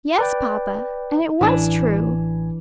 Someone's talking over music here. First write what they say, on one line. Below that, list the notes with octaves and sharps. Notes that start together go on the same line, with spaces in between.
"Yes, papa, and it was true."
B4 D5 G5
A1 E3 D4 G#5